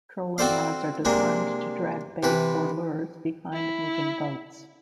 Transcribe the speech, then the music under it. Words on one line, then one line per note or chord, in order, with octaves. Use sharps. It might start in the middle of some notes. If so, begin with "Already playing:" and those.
Trolling rods are designed to drag bait or lures behind moving boats.
C4 F#4 A4 C5 D5 F5
C3 G#3 A#3 D4
C3 E3 B4
E4